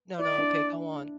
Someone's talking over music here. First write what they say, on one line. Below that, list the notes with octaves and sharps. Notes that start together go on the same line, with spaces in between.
No, no, okay, go on.
E4 D5
D4